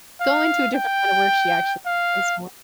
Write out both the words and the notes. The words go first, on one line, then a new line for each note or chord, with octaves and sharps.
go into a different kind of work she actually likes more.
F5
G5
F5